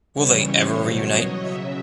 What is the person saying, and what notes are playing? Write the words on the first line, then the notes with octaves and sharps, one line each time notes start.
Will they ever reunite?
C#3 E3 G3 C#5
C5
B2 F#3 C#5
D#5
C#3 F#3 E5